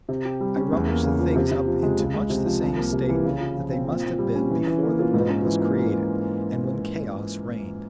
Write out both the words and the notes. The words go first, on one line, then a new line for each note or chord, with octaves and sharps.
I rummaged the things up into much the same state that they must have been before the world was created, and when chaos reigned.
C3
G4
G3
C#4
E2
A#3
C#3
F3
C3
C3
F3
G#3
C#2
G#3
C3
F3
C2
A#3
C3
E3
C#3
F4
F3
C4
A#2
A#2
G3
C#4
E3
E3
A#3
F4
G#2
C#4
E3
A#3